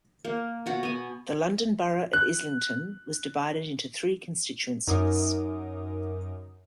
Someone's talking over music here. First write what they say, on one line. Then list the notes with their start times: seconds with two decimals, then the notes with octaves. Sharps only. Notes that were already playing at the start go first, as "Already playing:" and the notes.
The London Borough of Islington was divided into three constituencies.
0.25 A#3
0.66 B2 F#4
0.83 B3 G#5
2.13 F#6
4.87 F#2 D#4 A#4 D6 D#6